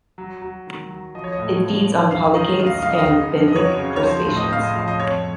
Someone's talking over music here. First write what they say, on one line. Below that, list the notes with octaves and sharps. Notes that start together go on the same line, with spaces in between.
It feeds on polychaetes and benthic crustaceans.
F#3
F#3
D#3
F#3
F3 D#5
C#5
D#5
A2
F3
F3
F#2 F5
D#3 D#5
F#2 D#5
F5
D#5
F#2 F5
D#5
F5
C#3 D#5
F2
D#5
F#3 C#5
C#3
C#5
F3 C5
C5
A2
D#5
A2 F5
D#5
F3 F5
D#5
F2 C#5